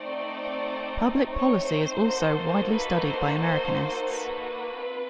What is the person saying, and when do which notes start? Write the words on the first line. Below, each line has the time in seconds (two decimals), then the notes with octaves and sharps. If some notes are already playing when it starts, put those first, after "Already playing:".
Public policy is also widely studied by Americanists.
Already playing: A3 C4 D#4 D5
1.31 C#5
1.66 C5
2.01 A#3 D#4 F#4 A4
2.70 B4
3.04 C5
3.39 C5
4.09 B4
4.77 C4 F4